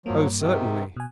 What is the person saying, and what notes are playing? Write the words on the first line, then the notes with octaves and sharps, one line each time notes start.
"Oh, certainly."
G2 F3 F#3 A#3
G#2 C3 D#3
B2 G#5